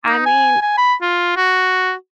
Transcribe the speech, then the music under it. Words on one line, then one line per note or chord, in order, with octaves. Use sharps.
I mean,
D#4
G#5
G#5
B5
F4
F#4